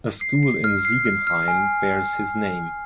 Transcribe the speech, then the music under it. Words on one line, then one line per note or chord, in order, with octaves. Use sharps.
A school in Ziegenhain bears his name.
C7
C7
F6
C7
F6
F6
G#5